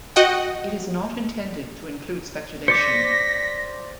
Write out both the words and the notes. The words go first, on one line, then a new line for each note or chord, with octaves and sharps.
It is not intended to include speculation.
F#4 D#5 F#5 G5
C5 D5 D6 A#6 B6 C#7